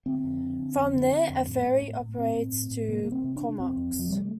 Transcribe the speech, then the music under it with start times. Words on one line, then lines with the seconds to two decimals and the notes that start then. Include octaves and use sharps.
From there, a ferry operates to Comox.
0.06 D3 C4
0.24 F2
0.41 D3
0.59 D3
0.76 F2
0.94 D3
1.12 D3
1.29 F2
1.47 A2
1.65 A2
1.82 A2
2.00 A2
2.18 A2 C4
2.35 A2
2.53 A2
2.71 A2
2.88 C3 A#3
3.03 C3 A#3
3.12 C4
3.24 C3
3.36 D4
3.42 C3
3.49 D4
3.59 F2 C4
3.77 F2
3.94 F2
3.99 F3
4.10 C3 G3
4.19 A3